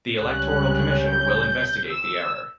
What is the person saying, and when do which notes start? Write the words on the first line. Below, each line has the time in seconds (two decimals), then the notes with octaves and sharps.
The Electoral Commission will investigate the error.
0.18 C#2 C#3 G3 C#4 F#6
1.03 G6
1.89 E6